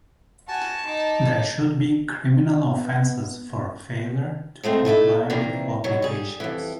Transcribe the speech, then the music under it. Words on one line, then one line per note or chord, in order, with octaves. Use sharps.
There should be criminal offences for failure to comply with obligations.
F#4 G#5 A5
D#4 D6
B3
F3 G#3 A3 C4
A3 D#4 E4 A4
C3 D#3 E3 A#3 D4
B2 D#3 F#3 G3
G3 G#4
F2 E3